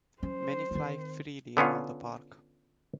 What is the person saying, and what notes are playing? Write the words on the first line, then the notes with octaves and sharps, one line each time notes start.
Many fly freely around the park.
F#3 C#4 C5
D#3 C4
D3 B3 C#4 F4